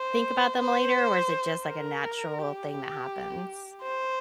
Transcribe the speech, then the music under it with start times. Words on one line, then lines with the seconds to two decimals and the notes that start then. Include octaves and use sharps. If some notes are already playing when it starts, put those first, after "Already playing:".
think about them later, or is it just, like, a natural thing that happens?
Already playing: C5
0.59 C5
1.66 A#4
2.38 G4
3.82 C5